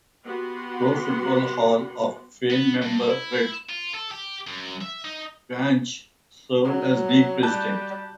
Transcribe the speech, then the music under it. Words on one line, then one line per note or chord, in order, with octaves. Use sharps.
Pro Football Hall of Fame member Red Grange served as league president.
B3 F#4 G4 F#5 C6
B3
G2
E4
F4
A4
G4
F#2
E5
D#4
F#3
G3 A5 F#6 G6